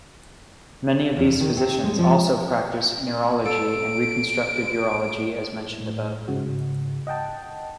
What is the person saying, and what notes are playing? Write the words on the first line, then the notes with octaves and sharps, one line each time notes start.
Many of these physicians also practice neurourology and reconstructive urology as mentioned above.
E2
D#3
C3
G#3
F3
A4 D7
A2
G#2 C#3 F#4
D#5 F#5 G5 A5